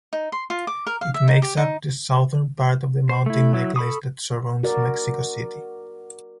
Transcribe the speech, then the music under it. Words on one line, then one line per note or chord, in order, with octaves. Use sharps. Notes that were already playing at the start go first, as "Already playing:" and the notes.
It makes up the southern part of the mountain necklace that surrounds Mexico City.
D#4
C6
F4
D6
A#4
F5
E5
D#4
G4
D#4
C5
A3 E4
F#3 E4
A4 B5 C#6 D#6
F#4 A#4 D5